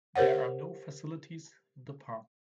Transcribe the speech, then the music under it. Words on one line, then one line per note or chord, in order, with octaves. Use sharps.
There are no facilities in the park.
G4 A#4 C5 C#5 F#5